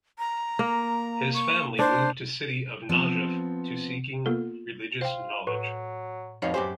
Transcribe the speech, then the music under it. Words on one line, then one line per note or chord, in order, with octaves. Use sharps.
His family moved to city of Najaf to Seeking Religious knowledge.
A#5
A#3
C#6
D4 C5
F3 B3 C4
A#3 B3 F4 A4
F4 C5 G5
A2 F#3 B4
F2 B2 D#4 C#5 F5
F#2 G4 C5 G#5 D6